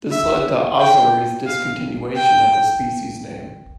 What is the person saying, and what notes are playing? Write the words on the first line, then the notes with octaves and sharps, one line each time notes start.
This led to "azarae"'s discontinuation as a species name.
E5
G5
F5
G5